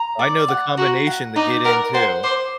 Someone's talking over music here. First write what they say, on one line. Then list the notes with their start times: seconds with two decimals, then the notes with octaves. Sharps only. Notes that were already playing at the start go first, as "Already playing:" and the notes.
I know the combination to get in too.
Already playing: A#5
0.19 D5
0.48 F#5
0.77 F#4 A#5
1.07 F#5
1.36 D#4 D5
1.65 A#4 F#5
1.94 C5 F#5
2.24 C5 D6